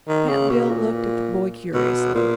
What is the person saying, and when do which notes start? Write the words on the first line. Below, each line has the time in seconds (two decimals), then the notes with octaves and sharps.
Cap'n Bill looked at the boy curiously.
0.08 D#3
0.29 C#3
0.49 B2
0.70 A#2
1.74 B2
2.15 A#2